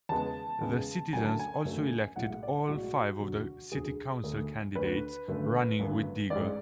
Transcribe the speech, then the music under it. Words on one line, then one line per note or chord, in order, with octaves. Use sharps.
The citizens also elected all five of the city council candidates running with Deger.
E2 C#3 G#3 B3 A5
E2 C#3 G#3 B3
F#1 F#2 D3 F#3 A3 G#5
A5
G#5
F#1 F#2 D3 F#3 A3
B1 A2 G#3 F#5
D5
B1 A2 G#3 F#4
E1 D2 D3 F#3
E1 D2 D3 F#3 G#4
D2 D3 A3
D2 D3 A3 B4
G#1 F#2 D3 A3
G#1 F#2 D3 A3
A1 G#2 G#3 D5